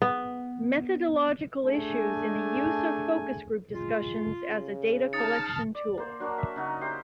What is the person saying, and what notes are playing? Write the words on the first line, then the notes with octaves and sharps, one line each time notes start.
Methodological Issues in the Use of Focus Group Discussions as a Data Collection Tool.
B3
A3 D4 G#4 G#5
G#3 F4
C#3
D#4 A5 D#6 F6 A6 C#7
D5
A#3 C5
F#3 D4 F#4 A#4
E5
C#3 D#4 F#4
G4 C5 E5 C6